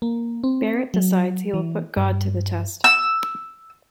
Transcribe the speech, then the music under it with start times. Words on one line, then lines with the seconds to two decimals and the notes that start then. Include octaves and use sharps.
Barrett decides he will put God to the test.
0.02 A#3
0.44 C4
0.94 F#3
1.54 E3
1.97 G2
2.84 E6